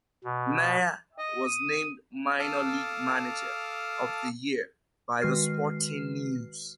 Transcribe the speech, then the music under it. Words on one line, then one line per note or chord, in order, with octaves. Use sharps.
Meyer was named Minor League Manager of the Year by The Sporting News.
B2
D#5
D#6
A4 F5 A5 D6 D#6 F6
D#3 G#3 F#4 B4 F6 C7